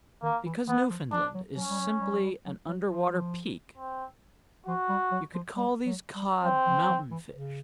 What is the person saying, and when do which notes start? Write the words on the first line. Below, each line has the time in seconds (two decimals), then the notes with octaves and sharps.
Because Newfoundland is simply an underwater peak, you could call these cod mountain fish.
0.23 D#3 A#3
0.45 E3
0.67 E3 B3
0.90 F3
1.12 F3 D4
1.34 F#3
1.57 F#3 C#4
1.69 G3
1.78 F#3
2.00 G3
2.12 F#3
2.23 G3
2.45 F#3
2.67 F#3
2.89 F3
3.78 C4
4.66 F3 F#4
4.89 G3
5.11 F#3
5.34 F3
5.56 G3
5.85 F#3
6.15 G3
6.43 F#3 C4
6.67 F3
6.89 F3
7.11 E3
7.33 C#3